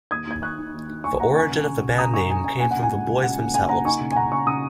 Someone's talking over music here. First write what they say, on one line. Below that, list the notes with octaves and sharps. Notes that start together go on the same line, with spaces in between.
The origin of the band name came from the boys themselves.
D#2 D#6 G#6
D#2 G#6
D#2 C#6 F#6
D#3
D#2
D#2
D#2 G#5 C#6
A#3 F#5 A#5
C#4 G#5 C#6
C#3
C#3
C#3
C#3 A#5 D#6
C#3 G#5 C#6
C#3 G#5
C#4 G#5
A#3 G#5
F#5
C#3
G#5
C#2
C#2
C#3 F#5
A#3
C#3 G#5
A#3 F#5 A#5
D#4 G#5 C#6
C#3
G#5
C#3 F#5 A#5
C#3 G#5 C#6
C#3 A#5 D#6